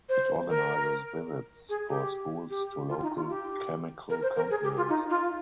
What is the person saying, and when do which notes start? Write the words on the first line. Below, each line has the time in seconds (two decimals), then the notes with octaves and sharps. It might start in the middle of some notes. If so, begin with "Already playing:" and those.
It organises visits for schools to local chemical companies.
0.09 C5
0.49 A#4
1.69 G#4
1.89 G4
2.50 G4
2.89 F4
3.03 D#4
3.15 F4
3.29 G4
4.10 A#4
4.22 C5
4.36 A#4
4.50 G#4
4.63 G4
4.77 F4
4.89 D#4
5.10 F4